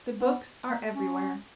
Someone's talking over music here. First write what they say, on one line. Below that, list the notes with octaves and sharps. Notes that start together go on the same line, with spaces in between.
The books are everywhere.
B3
A#3
C#4